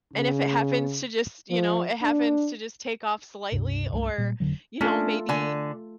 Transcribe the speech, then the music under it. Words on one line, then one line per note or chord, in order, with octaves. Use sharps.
and if it happens to just you know, it happens to just take off slightly, or, you know, maybe
C#3
F3
D4
C#2 G2 C3
C2 G2 F3 A3
A#2 G3
F1 C2 D3 F#3
A3 C#4 D4 F4 A4
D3 G#5